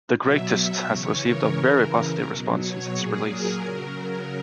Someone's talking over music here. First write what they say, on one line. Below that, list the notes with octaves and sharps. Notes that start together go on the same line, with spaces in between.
"The Greatest" has received a very positive response since its release.
B2 F#3 E5
E5
C#3 E3 C#5
A#4
C#3 E3 A#4
B2 F#3
C#5
A#2 F#3 G#4
A#4
C#3 F#3 A#4